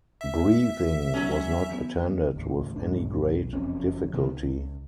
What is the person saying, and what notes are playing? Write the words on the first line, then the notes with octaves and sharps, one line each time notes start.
Breathing was not attended with any great difficulty.
E5
F#3 C#4
E3 B3
A1 D#2
B1 G#2 D4
B1
F#1 F2 C4 C#4
C3 D#3 B3
C#2